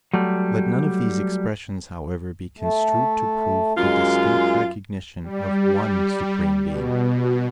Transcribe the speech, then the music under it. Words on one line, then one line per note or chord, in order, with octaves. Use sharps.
Let none of these expressions, however, be construed to prove the distinct recognition of One Supreme Being.
F#3 G3 A3
A3
F#2 G#3 F4
G3
B2